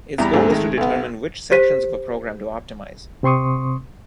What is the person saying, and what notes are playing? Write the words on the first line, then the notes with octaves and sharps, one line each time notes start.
Its goal is to determine which sections of a program to optimize.
E2 G3 A#5
D2 G#2 D3 G#3 C4
D#3 G#3 A3
B1 B3
G4 C5 B6 D#7
C3 C4 C6 C#6 D#6